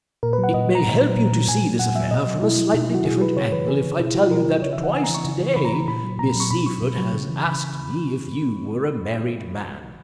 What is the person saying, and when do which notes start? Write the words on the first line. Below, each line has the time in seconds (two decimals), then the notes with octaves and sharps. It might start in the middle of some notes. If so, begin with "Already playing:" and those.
"It may help you to see this affair from a slightly different angle if I tell you that twice today Miss Seyffert has asked me if you were a married man."
0.23 A#2 A#4
0.33 B4
0.38 F#3
0.44 F#5
0.54 A#2 D#5
0.70 F#3
0.75 A#5
0.85 A#2
1.01 F#3
1.17 A#2
1.32 F#3
1.48 A#2 G#5
1.64 F#3
1.79 A#2 F#5
1.95 F#3 E5
2.11 B2 D#5
2.27 F#3
2.42 B2 E4
2.58 F#3
2.74 B2 D#4
2.84 E4
2.89 F#3 F#4
3.05 B2 G#4
3.21 F#3 B4
3.37 C#3 C#5
3.52 E3 B4
3.68 C#3 G#4
3.84 E3
3.99 B2 E4
4.15 F#3 F#4
4.31 B2 A#4
4.47 F#3
4.62 C#3 C#5
4.73 E5
4.78 E3
4.83 F#5
4.93 C#3 G#5
5.04 A#5
5.09 E3
5.14 C#6
5.25 C#3
5.41 E3
5.56 C#3 B5
5.65 A#5
5.72 E3 B5
5.88 A#2 B5
6.04 F#3
6.19 A#2 A#5
6.35 F#3 C#6
6.51 B2 B5
6.66 F#3 C#6
6.82 B2
6.98 F#3
7.13 C#3
7.29 E3
7.44 C#3 B5